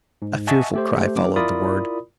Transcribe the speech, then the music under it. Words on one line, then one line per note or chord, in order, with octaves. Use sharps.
A fearful cry followed the word.
G#2
D#5 E5 F#5 G#5 A5 C#6
A3 G4 C5
F#2 D6
E4 F4 A#4 D5 B5 D#6